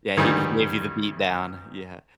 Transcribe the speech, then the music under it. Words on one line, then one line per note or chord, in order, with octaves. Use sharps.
Yeah. Yeah, he he gave you the beat down, yeah.
D2 G2 D#3 E3 G3